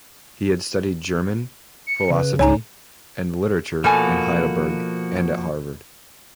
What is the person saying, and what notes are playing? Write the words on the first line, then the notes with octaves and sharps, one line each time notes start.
He had studied German, philosophy, and literature in Heidelberg and at Harvard.
C#7
C#3 B4
C#2 D#4 C#5 G#5 A#5
B2 F3 A#3 F#4 A4 G#5